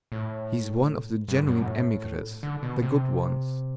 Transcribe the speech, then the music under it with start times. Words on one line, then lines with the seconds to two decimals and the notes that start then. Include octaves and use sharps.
He is one of the genuine emigres, the good ones.
0.12 A2
1.28 G2
1.47 F#2
1.61 B2
1.66 A2
2.43 D3
2.63 B2
2.82 C3